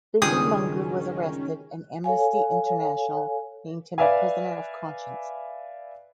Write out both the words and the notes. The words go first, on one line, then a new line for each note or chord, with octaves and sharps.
Bizimungu was arrested, and Amnesty International named him a prisoner of conscience.
C#2 G2 D#3 C#4 G#4 G5 D#6
A4 C#5 F5 G#5
B4 D5 E5 F5 G#5